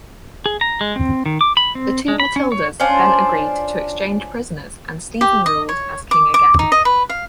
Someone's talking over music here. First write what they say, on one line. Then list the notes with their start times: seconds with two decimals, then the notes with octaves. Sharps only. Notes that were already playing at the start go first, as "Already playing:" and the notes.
The two Matildas then agreed to exchange prisoners and Stephen ruled as king again.
0.46 G#4
0.61 A#5
0.81 G#3
0.96 C4
1.26 D#3
1.41 D6
1.57 B5
1.75 C4
2.08 G#3
2.20 B5
2.36 C#4
2.52 C#5
2.80 C#4 D4 F4 C5
5.21 G4
5.46 D#5
5.69 C#5
6.11 D6
6.34 D6
6.59 D#4
6.72 D#5
6.85 B4
7.09 F5